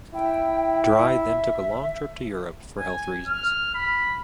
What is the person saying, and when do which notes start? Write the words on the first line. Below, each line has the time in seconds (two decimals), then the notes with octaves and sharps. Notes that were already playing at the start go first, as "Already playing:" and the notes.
Dry then took a long trip to Europe for health reasons.
0.14 E4 G5
1.20 E5
2.79 G#5
3.28 F6
3.75 B5